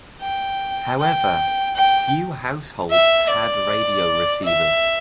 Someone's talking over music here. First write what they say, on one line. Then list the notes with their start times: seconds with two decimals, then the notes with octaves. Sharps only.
However, few households had radio receivers.
0.22 G5
0.99 G5
1.75 G5
2.91 E5
3.30 D5
4.44 E5